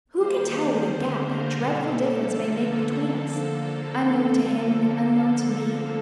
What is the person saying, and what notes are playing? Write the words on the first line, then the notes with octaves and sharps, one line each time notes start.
Who can tell what a gap that dreadful difference may make between us, unknown to him and unknown to me?
D#3 G3 A#3 C5
D3 G3 A#3 C5
A#4
B2 G3 A#3 A4
D3 F3 A#3